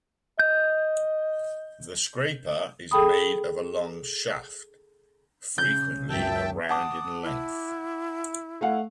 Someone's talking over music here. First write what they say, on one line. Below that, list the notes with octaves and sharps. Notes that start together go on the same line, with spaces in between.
The scraper is made of a long shaft, frequently around in length.
D#5 G6
G#4 A4 G5 B5 D#6
C#3 G6
C#2 F#2 E5 G5 A5
F#5 A5 D6 D#6
E4
A3 F5 F#5